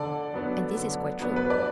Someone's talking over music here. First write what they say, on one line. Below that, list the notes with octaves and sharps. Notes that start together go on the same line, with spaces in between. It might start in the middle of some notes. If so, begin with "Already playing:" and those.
And this is quite true.
Already playing: D3 A4 D5
F#3 B3 D4
D3
F#3 B3 D4
B4
D5